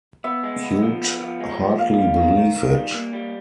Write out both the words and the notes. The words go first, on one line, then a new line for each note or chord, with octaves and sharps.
You'd hardly believe it.
B3 E5
G#3
B3
F3
B3
F3
G#3
F3
A#3 F5
G3
D#3
D#3
D#3
G3
A#3
G3